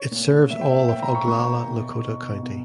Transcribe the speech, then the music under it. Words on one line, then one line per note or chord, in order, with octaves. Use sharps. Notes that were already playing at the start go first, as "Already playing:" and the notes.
It serves all of Oglala Lakota County.
Already playing: C#5
A#2
A#2 E5
G5
E5
A#2 G5
A#5
C#6
A#2 C#6
B2
B2
B2